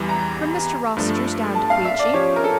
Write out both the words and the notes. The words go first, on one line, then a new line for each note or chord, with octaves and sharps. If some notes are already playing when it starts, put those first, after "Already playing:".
"From Mr. Rossitur's down to Queechy."
Already playing: E2 E3 G3
A#5
G2 F3 A3 D4 A4
A5
F5
E5
D5
F3 C#4 G4 C#5
A#4
A4